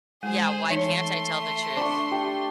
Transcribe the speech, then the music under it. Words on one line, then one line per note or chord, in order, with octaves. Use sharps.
Yeah, why can't I tell the truth?
G#3 G#4 C5
E3 A3 D#4 C#5 C6
D4 C#6
G4